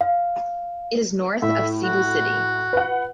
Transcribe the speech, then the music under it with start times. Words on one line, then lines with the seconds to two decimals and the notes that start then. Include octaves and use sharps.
It is north of Cebu City.
0.01 F5
1.42 A2 E5
1.84 F#4
2.73 B4 F#5